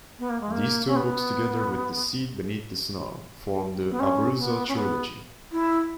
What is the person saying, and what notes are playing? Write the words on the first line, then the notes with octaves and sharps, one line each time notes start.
These two books together with "The Seed Beneath the Snow" form the "Abruzzo Trilogy".
B3
A#3
G#3
A#3
C#4
B3
B3
C#4
B3
C#4
B3
E4